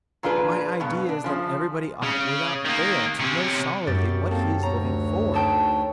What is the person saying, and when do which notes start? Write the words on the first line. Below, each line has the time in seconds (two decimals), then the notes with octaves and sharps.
But my idea is that everybody ought, without fail, to know solidly what he is living for.
0.23 A#2 F3 D4 F4 G#4 B4
0.80 G2 B2 B3
1.09 D4
1.24 C#3 F3
2.03 C#3
2.65 D#3 A#3
3.20 C3 C#4
3.87 F#2 G4 A6
4.27 A#3 C4 D#4 A4
4.63 D2 C#5 A#5
5.34 D#4 G#4 A4 G5 A5